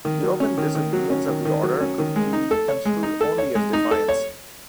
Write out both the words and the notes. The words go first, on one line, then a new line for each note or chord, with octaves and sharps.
The open disobedience of the order could be construed only as defiance.
D#3
F#3
C#4
D#3
D#3
F#3
C#4
D#3
D#3
F#3
C#4
D#3
G#3
D#4
A4
C#5
G#3
D#4
A4
C#5
G#3
D#4
A4
C#5